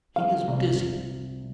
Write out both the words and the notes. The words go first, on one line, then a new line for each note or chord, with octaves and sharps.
"He is busy."
F5
C2